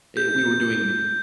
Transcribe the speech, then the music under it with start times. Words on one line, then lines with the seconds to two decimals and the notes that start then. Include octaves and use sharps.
i we were doing
0.17 G6